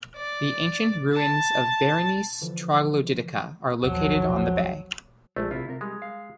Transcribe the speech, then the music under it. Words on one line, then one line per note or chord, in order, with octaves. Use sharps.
The ancient ruins of Berenice Troglodytica are located on the bay.
D5
A5
D3 E3 F3
A1 D#2 B2 F3 F#3
A#1 G#3 A3
C3 E4 F4
C3 A#4
G3 G#3
F5